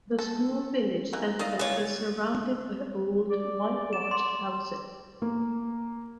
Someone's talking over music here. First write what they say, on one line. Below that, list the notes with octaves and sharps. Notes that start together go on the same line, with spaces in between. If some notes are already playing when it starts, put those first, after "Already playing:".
The small village center is surrounded by old whitewashed houses.
A4
E3 A#3 D#4
D#4 D5 D#5 F5
E3 F#3 F4 C#5
D5
E7
C6
A#3